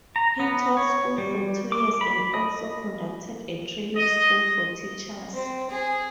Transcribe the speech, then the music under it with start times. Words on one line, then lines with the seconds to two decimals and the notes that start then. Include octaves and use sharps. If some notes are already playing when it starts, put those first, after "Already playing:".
He taught school for two years and also conducted a training school for teachers.
0.16 A#5
0.40 B3
0.77 C#5
1.18 G3
1.72 D6
2.01 B5
2.34 D#5
3.97 D#5
5.33 C4
5.70 G#4